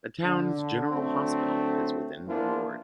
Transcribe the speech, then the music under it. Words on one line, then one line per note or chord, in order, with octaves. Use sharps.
The town's General Hospital is within the ward.
D3
D3 F#3 A3 C4
E3 F3 A#3 B3 D4 F4